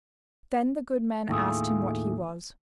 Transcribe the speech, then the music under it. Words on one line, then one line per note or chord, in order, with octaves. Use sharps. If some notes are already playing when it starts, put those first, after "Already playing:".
Then the good man asked him what he was.
D#2 A2 A3 F4 G#4